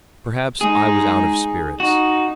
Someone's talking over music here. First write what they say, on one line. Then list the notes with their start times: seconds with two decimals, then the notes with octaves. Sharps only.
Perhaps I was out of spirits.
0.61 G#3 D#4 G#4
1.80 D#4 F#4